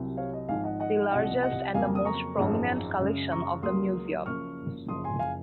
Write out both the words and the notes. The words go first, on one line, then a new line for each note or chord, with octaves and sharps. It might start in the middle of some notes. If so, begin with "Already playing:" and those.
The largest and the most prominent collection of the museum.
Already playing: C2 C3 F#3
C#5 F5
D#5
G#1 G#2 F3 F5 G#5
D#5 F#5
D#5 F#5
C2 C3 F3 D#5 F#5
D#5 F#5
F2 C#3 F#3 A#3 F5 G#5
D#6
A#5 C#6
G#1 F#2 F3 G#3
F#2 C#3 G#3
A#5 C#6
C#2 C#3 F#3 A#3 C6 D#6
F#1 F#2 F3 A#3 C#6 F6
F#1 F#2 C#3 F3 C6 D#6
G#5 C6
F5 G#5